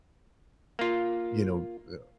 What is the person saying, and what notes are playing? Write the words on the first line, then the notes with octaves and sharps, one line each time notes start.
you know, uh,
A#3 F4